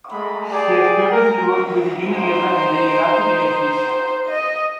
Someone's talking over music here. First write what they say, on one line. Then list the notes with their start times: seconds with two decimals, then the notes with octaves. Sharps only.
She has previously worked with Unilever and the United Nations.
0.11 G#3 A3 B5
0.51 G4 G#4 D5
1.12 A#4
2.10 D#4 C5
4.29 D#5